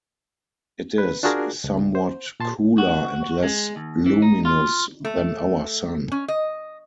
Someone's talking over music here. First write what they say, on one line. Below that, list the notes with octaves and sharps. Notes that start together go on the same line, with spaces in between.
It is somewhat cooler and less luminous than our Sun.
B4
D4 F4 F#4 G#4 A#4
C#2
C5
A#2 A5 C6
F#4
G#3
D#2
E3
D#4
F4
A3
C#4
D#5